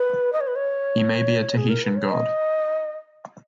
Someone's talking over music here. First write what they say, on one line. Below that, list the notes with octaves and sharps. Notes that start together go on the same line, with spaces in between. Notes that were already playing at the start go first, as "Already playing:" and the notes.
He may be a Tahitian god.
Already playing: B4
D#5
C#5
B4
C#5
G#4
A#4
B4
C#5
D#5